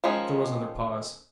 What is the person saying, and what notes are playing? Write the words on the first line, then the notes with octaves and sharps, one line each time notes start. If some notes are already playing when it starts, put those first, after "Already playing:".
There was another pause.
D#3 F3 G#3 C#4